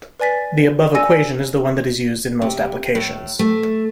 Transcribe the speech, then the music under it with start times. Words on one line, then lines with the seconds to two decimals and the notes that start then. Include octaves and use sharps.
The above equation is the one that is used in most applications.
0.20 B4 D5 G#5 A6 B6
0.95 D5 G#5 E6 A#6 C#7 D#7
2.42 C3
2.95 A2
3.39 A3